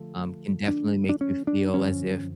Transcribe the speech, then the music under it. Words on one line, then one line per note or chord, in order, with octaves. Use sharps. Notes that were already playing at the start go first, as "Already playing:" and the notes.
um, can definitely make you feel as if,
Already playing: D3 F3 A3 F4 A4
D4
D4
C#4
D4
F#2 D3 F3 C#4